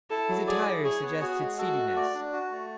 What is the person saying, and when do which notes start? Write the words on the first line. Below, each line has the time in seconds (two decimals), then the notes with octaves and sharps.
His attire suggested seediness.
0.10 E4 A4
0.29 F#3
0.47 G#4 D5
0.65 E4
0.84 G#4 C#5
1.03 B3
1.21 F#4 G#4
1.40 G#3
1.58 F#4 A4
1.77 A3
1.96 D5
2.14 D4
2.33 F#4
2.51 A3